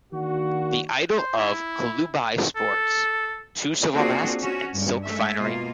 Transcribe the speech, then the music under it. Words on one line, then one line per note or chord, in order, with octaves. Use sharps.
The idol of Kalubai sports two silver masks and silk finery.
D#3 A#3 D4 F#4
C5
E4
A4
A#3 C4 D4 F4 F#4 G#4
C#4 F#4
G2
G#3 A3 E5
B2 A#3 F4